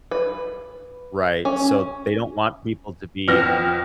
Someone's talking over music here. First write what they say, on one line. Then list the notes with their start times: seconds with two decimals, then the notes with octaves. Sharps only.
Right. So, they don't want people to be
0.11 B4
1.45 C#4
3.28 F2 B3 F6 A#6